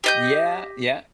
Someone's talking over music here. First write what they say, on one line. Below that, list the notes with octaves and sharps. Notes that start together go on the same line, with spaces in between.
Yeah, yeah,
G4 D#5 G6